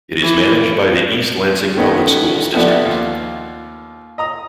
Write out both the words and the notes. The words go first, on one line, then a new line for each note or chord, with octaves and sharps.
It is managed by the East Lansing Public Schools district.
E3
D#3 A3 B3 C#4 D#4
C3 F3 A3 B3 D4
D#2 F4
D#5 A#5 D#6